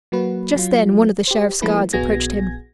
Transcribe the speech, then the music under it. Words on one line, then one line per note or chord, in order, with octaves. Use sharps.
Just then one of the Sheriff's guards approached him.
F#3 A#3 F#4 B4
F#3 F4
G4 C5
F3 G#3 A#3 E4 A4 B4
A#1 B3 F#4 G#4 G#6 A#6